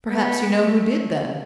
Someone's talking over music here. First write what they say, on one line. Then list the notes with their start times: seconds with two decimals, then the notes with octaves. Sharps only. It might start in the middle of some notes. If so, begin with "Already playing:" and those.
"Perhaps you know who did, then?"
0.12 B3
0.53 A3